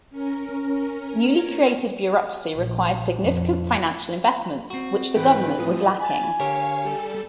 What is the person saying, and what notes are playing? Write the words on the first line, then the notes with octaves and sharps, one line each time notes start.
Newly created bureaucracy required significant financial investments, which the government was lacking.
C#4 A#4
A#1
F2
C4 F#4
G#2 E3 B4 G5
A2 F3 D#6
G#5 B5 A6
D3 G4 A#4 C#5 F5
G3 A4